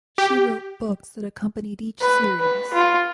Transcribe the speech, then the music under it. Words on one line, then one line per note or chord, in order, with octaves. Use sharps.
She wrote books that accompanied each series.
G4
B4
B4
F4